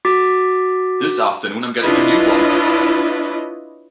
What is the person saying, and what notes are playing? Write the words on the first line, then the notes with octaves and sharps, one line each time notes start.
This afternoon I'm getting a new one!
F#4 D6 A6 B6
D4 E4 F4 B4 C#5 D#5